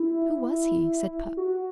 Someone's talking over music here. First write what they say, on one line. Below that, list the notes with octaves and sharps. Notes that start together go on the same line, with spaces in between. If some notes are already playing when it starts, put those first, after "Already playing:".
'Who was he?' said Puck.
Already playing: E4
F#4